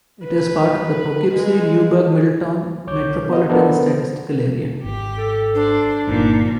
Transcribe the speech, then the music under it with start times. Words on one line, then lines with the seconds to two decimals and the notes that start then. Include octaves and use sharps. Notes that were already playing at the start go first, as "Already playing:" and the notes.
It is part of the Poughkeepsie-Newburgh-Middletown Metropolitan Statistical Area.
0.25 B4
1.35 G#3
2.87 C2 C#5 D6 G6
3.29 B3 D#5
3.49 B3 D4 F4 A4 A#4 C5
4.84 G#1 G4
5.18 A4
5.55 D4 C5
6.07 G1 A#2 F3 D#4